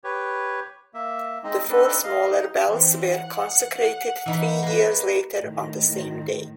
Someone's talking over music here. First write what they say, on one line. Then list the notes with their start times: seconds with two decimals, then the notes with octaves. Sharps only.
The four smaller bells were consecrated three years later on the same day.
0.04 G4 B4 C#5
0.94 A#3 E5
1.44 G#3 C4 D#4
1.69 C4 D4 D#4 A4 B4
2.03 D#5 F5
2.31 D#4
2.68 E3 C4
3.14 F#5
4.26 E3 D#4 B5
4.63 A#3 B4
5.41 A2 D#3